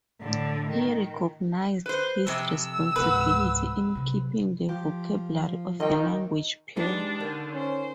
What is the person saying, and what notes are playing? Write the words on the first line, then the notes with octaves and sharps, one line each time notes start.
He recognized his responsibility in keeping the vocabulary of the language pure.
A2 D3
D#3
B4 C5
F2 C3 E6
C#2 G#2 B4 F#5
C3 F#3
F3 G4
D#3 D#5 G5
E3 G3 G#3 D4 D#4
D3 D#3
C#4 C5